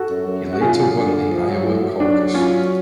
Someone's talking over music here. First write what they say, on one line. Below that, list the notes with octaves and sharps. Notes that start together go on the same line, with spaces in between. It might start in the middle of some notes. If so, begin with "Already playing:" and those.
He later won the Iowa caucus.
Already playing: F#4 A4
F#2
F#2
F#2
F#4
F#2 F4 G#4
D3
F3
F#3
A2
F#3
D4 F#4
C#4 F4